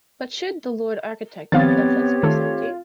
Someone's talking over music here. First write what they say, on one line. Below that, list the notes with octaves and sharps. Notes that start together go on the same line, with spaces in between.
But should the Lord Architect have left that space empty?
D#3 F3 B3 C4 G4 C#5 F5 A6
D#3 A3 F4 A4